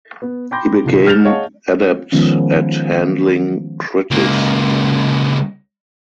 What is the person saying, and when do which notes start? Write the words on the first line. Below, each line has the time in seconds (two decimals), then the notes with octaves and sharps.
He became adept at handling kritis.
0.22 B3
0.51 G5 B5 C6 D6 G6 A#6
0.84 F1 A2 D3 F3 C7
1.07 F6 G6 A6 E7 F7
1.25 G#4 C#5 D#5 F5 F#5 A5
2.12 D#3 F3 G#3 B3 C#4
4.11 C#2 A#3